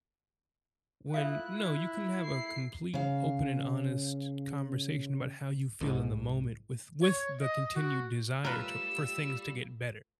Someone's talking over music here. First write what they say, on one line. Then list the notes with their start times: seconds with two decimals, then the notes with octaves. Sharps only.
when, no, you can have a complete, open, and honest conversation about how you feel in the moment with with the continued desire to for things to get better.
1.14 E4 F4 A4 E5 F5 F#6
1.58 E4
2.24 E4 C7
2.94 C#3 F5
5.81 C2 G#2
7.03 C#5
7.41 D#5
7.76 F#4
8.45 G3 A3 F4 A#4 B4 C#5 E6